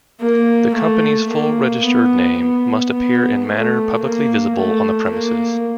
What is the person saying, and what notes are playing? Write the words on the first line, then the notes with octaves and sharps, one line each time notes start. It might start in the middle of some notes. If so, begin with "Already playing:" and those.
The companies full registered name must appear in manner publicly visible on the premises.
A#3
A3
A#3
B3
B3
B3
A3
A#3
A3
A#3